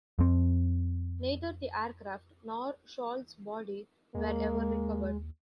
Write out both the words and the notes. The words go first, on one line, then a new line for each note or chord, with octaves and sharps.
Neither the aircraft nor Scholl's body were ever recovered.
F2 C4
D#2 G#3 A#3